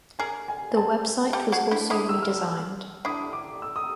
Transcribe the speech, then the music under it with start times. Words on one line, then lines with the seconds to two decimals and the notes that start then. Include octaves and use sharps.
The website was also redesigned.
0.19 G#4 A#4 G#5
0.48 G#5
0.77 A5
1.33 G4 A4
1.52 F#4 G#4
1.71 D4 E4
1.90 D4 E4 D#6
2.09 E6
2.23 F6
2.29 E6
3.05 D4 E4 D#6
3.33 D6
3.62 E6
3.76 D#6